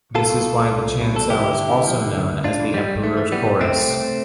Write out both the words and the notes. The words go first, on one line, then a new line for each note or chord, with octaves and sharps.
This is why the chancel is also known as the Emperor's Chorus.
C2 F4 A4
B2
C2
C2
C2
C2
B2
C2 A4
F3 E4 G4
D3
D3
D2
F3
D3
D2
D2
G2 D4 F4
E3
E3 G3
G2
E3 A3
E3
E3 G3 B3
E3
C2 A3 C4
C3
C2